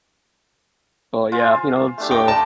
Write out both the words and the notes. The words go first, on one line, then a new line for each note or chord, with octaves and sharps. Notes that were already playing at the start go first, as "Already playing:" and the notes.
oh, yeah. You know, it's, uh
F4 C5 G#5
A3 D4 G4
D#5 G5 D6
D5 A5 A#5